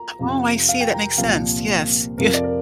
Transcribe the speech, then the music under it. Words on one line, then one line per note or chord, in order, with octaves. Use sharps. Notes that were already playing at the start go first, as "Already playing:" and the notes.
Oh, I see, that makes sense. Yes. Yeah.
Already playing: A#5
F2 C3 F3
F5
G5
A#5
C2 A#2 F3 F5
F2 C3 F3 A#4
D5
A#4